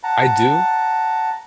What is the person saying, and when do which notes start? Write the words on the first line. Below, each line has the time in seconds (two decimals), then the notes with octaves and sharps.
I do.
0.03 F#5 A5 A#5